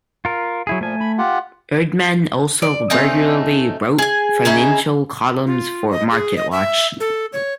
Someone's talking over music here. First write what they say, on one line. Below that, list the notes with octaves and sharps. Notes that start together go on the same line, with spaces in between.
Erdman also regularly wrote financial columns for Marketwatch.
F4 A#4
F#3 E4 G#4
A#2 F3 A3 G#5
B5
F4 G4 F#5
D5
A3 C4 C#4 D#4
G#4 G#5
C#4 D#4 E4 G#4
F4
D#5
G#4
D#5
E5
A4
C#5